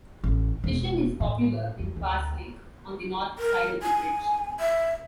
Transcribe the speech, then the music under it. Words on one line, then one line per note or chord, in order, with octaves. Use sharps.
Fishing is popular in Pass Lake, on the north side of the bridge.
A1
E1
A2
F2
D2
A#4
G#5
E5